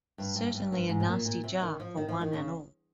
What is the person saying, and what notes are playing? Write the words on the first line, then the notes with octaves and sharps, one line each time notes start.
Certainly a nasty jar for one and all.
G2
G2
G2
G2
G#2
C3
A#2
A#2
C3
D#3
F3
D#3
F3
D#3
C#3